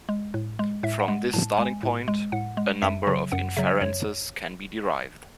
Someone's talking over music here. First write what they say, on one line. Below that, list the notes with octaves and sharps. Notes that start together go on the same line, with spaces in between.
From this starting point, a number of inferences can be derived.
G#3
A2
G#3
A2 E5
F#5
G#3
A2 A5
G#3 G#5
A2
G#3
A2 F#5
G#3
F#2 E5
C#3 F#3
F#2 F#5
C#3 F#3 E5
F#2 C#5